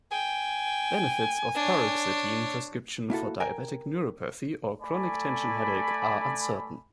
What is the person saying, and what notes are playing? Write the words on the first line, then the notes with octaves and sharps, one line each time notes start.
Benefits of paroxetine prescription for diabetic neuropathy or chronic tension headache are uncertain.
G5 G#5
D4 C#5
A#3 E4 F#4 A4
A#4 G5 G#5
A3 D5 G#5 B5